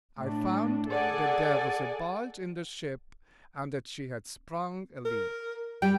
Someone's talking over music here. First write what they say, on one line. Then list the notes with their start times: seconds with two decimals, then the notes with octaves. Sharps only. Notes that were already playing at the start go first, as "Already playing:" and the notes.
I found that there was a bulge in the ship, and that she had sprung a leak.
0.20 A2 D4
0.91 G#4 A4 D5 F#5 G#5
5.05 A#4
5.82 G3 G5